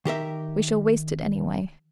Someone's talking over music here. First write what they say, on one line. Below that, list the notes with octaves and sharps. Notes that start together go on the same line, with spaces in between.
We shall waste it anyway....
D#3 G4 A#4 E5